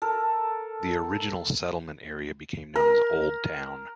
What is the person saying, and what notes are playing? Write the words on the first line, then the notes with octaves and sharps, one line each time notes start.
The original settlement area became known as Old Town.
A4 A#4
A#4